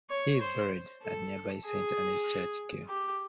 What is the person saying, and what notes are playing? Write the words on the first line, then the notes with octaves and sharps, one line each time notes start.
He is buried at nearby Saint Anne's Church, Kew.
C#5
C5
A4
G#4
G4